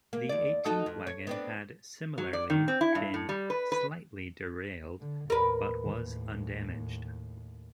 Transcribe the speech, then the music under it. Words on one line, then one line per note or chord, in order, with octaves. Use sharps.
The eighteenth wagon had similarly been slightly derailed but was undamaged.
A#3
D#2 D5
D#4 F#4 A4
F2
C#5
B3 C4 D4
F#3
D5
D#3
C4
E4
G2
A2
G3
B4
B4
D3
D#2 A2 A#4 B4